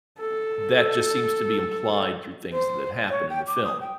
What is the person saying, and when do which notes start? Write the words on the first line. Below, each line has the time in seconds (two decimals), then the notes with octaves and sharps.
That just seems to be implied through things that happened in the film
0.20 A4
2.53 C5
3.09 C#5
3.29 G5
3.47 D6
3.63 D#6
3.81 G5